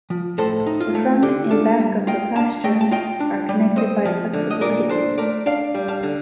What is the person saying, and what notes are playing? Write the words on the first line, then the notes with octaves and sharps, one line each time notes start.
The front and back of the plastron are connected by a flexible hinge.
F3
A2 A4 C5
D#4
F4
A3
D3 G4
D4 F4 A4
G3
F4 D#5 G5
D4 F5 A5
A3 D#5 G5
A5
F4 D#5 G5
D4
G3
C4 C5 D#5
F3
D3
D#5
A#2 A#4 D5
D4 A4 C5
A3 A#4 D5
D4 D5 F5
G3
F5 A5
D3